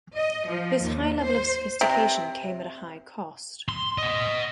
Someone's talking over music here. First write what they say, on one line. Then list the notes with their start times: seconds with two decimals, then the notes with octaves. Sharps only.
This high level of sophistication came at a high cost.
0.15 D#5
0.46 F3
0.82 D#2
1.20 C5
1.81 C3
3.69 C6
3.98 D#5 F#5